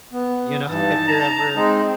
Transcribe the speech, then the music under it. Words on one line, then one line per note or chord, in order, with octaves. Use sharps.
you know, if you're ever
B3
G2 E3 D#4 A5
A#5
G#3 C4 D#4